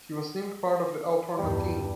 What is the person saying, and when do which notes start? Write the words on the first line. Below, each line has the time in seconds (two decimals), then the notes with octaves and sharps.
He was named part of the All-tournament team.
1.38 E2 G2 G3